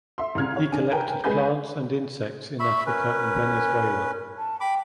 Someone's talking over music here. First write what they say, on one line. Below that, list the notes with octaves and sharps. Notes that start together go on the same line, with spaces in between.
He collected plants and insects in Africa and Venezuela.
E5 C6
C2 C#3 F6 G#6
C#5
D4 G#5
A#4 B4 G5 G#5 A#5
G#3 B4 G#5 B5 G6
E5 B5 C#6
C#4 A#4 B4
A5
G5 B5 D6